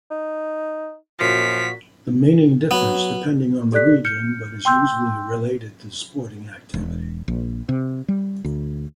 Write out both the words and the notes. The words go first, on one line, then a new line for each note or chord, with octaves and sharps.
The meaning differs depending on the region, but is usually related to sporting activity.
D#4
F#2 A#2 F3 F#4 B6
F#3 B3
G4 A4 D5 F#6 B6
F6 G6 C#7
G5 C6 E6 G6
E1
A#1
C3
G3
D2